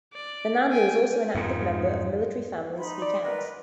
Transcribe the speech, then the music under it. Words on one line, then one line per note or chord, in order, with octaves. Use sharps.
Fernando is also an active member of Military Families Speak Out.
D5
G5 G#5
F2 G#2
D#4 B5 C6
D5
A#4 B4 D#5